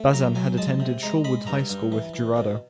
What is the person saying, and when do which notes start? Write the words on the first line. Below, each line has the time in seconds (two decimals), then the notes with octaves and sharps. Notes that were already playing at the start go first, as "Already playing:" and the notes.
Bazan had attended Shorewood High School with Jurado.
Already playing: A3
0.13 F#3 A#5
0.35 F#3 G#5
0.57 G#3 A5
0.80 C3
1.03 G#3 A#5
1.24 G#3 B5
1.47 G2 A#5
1.70 G2
1.92 E3
2.14 E3
2.36 B2